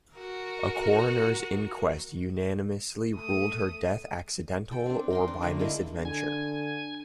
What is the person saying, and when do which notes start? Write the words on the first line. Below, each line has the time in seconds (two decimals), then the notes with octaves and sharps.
A coroner's inquest unanimously ruled her death accidental or by misadventure.
0.17 F#4 A#4
3.12 A3 D#6
4.71 A4 G5
4.86 C4 D4
5.10 A#4 G5 C6
5.28 D4
5.42 D3 A3 A#4
5.59 G#3 A#3 E4
6.05 D3 G#5